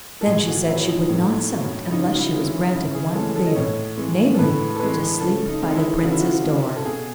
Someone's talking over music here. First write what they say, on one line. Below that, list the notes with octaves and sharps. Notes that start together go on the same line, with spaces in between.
Then she said she would not sell it unless she was granted one favour--namely, to sleep by the Prince's door.
A4
A2 G#4
F#4
F#3 E4
D#4
A2
F#3
E4
C#3 D#4
F#4
E4
E3 G#3
E4
C#3 E4
G#4
E3 G#3 A4
A4
D#5
A2 C#5
E3 G#3
A4
A2 B4
A4
E3 G#3 B4
C#3 A4
D#4
G#3
D#4
E4
C#3 F#4
E4
F#4
G#3
A4
B2 G#4